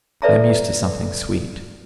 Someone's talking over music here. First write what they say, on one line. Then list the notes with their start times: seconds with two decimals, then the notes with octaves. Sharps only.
I am used to something sweet.
0.22 A4 B4 D5 E5 A5 A#5